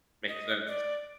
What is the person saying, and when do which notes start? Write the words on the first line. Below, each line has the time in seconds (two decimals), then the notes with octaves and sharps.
Makes sense.
0.28 D#5
0.67 D5